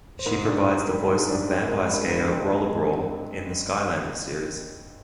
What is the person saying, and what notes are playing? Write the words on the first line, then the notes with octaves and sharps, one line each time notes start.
She provides the voice of vampire skater Roller Brawl in the "Skylanders" series.
C5
G#2 A#4
D4
C5
G#2
G3 A#4
G#2
G#4
D4
C4 G4
G#3 A#4
G#4
G2
G#4
D3 A#4
C4
D#5
G#3